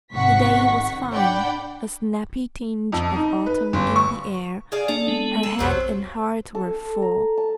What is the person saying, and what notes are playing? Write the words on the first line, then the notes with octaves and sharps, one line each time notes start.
The day was fine, a snappy tinge of autumn in the air, her head and heart were full.
G#1 C3 D#3 F#5 C#6 B6
D4 D5 F#5 G5 B5
F2
D#4
B4
G1
C#6
G#4 D5 F5
A#3 D4 A4
G#3 B3
A4
A#1 F2 C3 F#3 C4
A4
A#5
A5